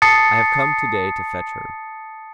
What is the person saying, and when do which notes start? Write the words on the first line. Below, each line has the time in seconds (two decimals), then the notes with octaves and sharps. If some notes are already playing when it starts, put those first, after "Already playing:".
I have come to-day to fetch her.
0.02 A5 D#6 A6 C7 C#7